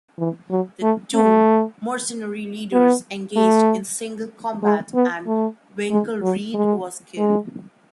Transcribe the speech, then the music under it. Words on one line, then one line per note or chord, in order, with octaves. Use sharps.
The two mercenary leaders engaged in single combat, and Winkelried was killed.
E3
F#3
A3
A3
B3
A3
G#3
B3
A3
G#3
F#3
G#3
G#3